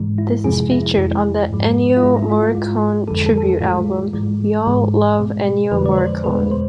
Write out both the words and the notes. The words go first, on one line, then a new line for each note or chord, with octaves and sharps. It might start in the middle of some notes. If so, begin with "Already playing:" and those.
This is featured on the Ennio Morricone tribute album, "We All Love Ennio Morricone".
Already playing: G#2 E3 G#3
E4
F2 C3 F3 G#3 G#4
E4
F2 E3 G#3
G#2 F3 G#3
F4
G#2 G#3 E4
E4
F4
F4
G#2 G#3
F2 D3 F3 G#3 A4
A4
A4
G#4
A2 E3 G#3 F4
G#2 E3 G#3
G#2 E3 G#3
B2 G#3
F2 D3 F3 G#3 B4
D5
C5
E2 B2 G#3 B4
C5